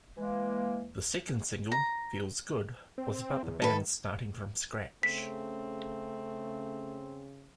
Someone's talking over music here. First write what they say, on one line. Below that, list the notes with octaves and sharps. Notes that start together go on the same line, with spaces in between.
The second single "Feels Good" was about the band "starting from scratch".
E3 G#3 A#3
A#5
C4
E2
D#3 A4 B4
C#3 A3 C4 B6